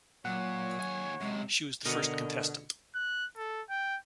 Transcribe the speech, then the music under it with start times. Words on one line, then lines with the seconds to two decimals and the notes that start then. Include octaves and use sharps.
She was the first contestant.
0.25 A#2 F#3 C#5 F#5
0.80 D#2 G#5
1.21 F#2 C3 G#3
1.85 B2 D3 F#4 A#4 D#5 C#7
2.95 F#6
3.37 A4
3.70 G5